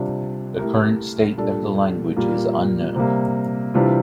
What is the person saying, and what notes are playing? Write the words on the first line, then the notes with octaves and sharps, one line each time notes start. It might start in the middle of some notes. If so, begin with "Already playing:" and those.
The current state of the language is unknown.
Already playing: C3 G3 D4 F4
A3 E4 G4 A#4
A#2 G3 D4 A4
A#2 G3 A#3
C3 G3 A#3
C3 E3 G3 D4 F4